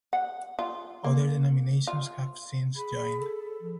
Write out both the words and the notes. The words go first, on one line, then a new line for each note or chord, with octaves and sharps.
Other denominations have since joined.
F#5
F4
A#3
F4
G#4 B5
A4
F3